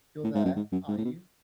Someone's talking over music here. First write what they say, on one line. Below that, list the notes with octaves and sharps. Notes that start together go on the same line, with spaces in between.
You're there, are you?
A2
G#2
F#2
G#2
F#2
G#2
A2
B2